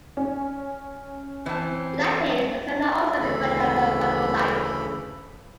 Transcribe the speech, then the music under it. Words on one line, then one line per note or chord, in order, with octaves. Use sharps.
In that case the cells are also referred to as "vanadocytes".
C#4
E3 C4 A5
D2 C#3 E3 A4 B5